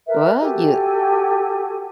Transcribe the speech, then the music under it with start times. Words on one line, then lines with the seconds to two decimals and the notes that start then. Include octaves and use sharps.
Well, you
0.07 A#4 B4 E5
0.40 F#4 G4 A4 G#5